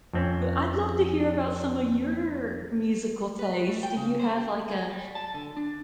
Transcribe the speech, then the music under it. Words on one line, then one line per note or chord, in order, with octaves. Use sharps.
I'd love to hear about some of your musical taste. Do you have, like, a
F2 C4 C#4
B4
B4
A3
G5
C#3
C5
G4
G#4
G3
A5
D3
D4